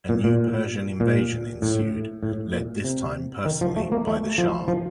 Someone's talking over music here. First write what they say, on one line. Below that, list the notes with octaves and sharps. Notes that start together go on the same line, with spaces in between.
A new Persian invasion ensued, led this time personally by the shah.
A#2
A#2
A#2
A2
A2
A#2
C3
D#3
F3
A3
A#3
A3
F3
F3